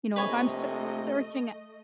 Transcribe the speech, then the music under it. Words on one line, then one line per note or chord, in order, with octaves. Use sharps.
You know, if I'm sear searching uh
A#1 C3 A3 B4 C#5 D#5 G#5